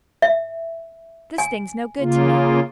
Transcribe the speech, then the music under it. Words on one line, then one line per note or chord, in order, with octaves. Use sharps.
This thing's no good to me.'
E5
G#5
C#3 A#3 F4